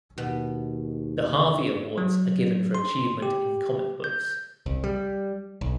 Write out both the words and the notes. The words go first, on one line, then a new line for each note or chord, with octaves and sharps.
The Harvey Awards are given for achievement in comic books.
D#2 B2
F#3
C6
G4
G6
C2
G3
B1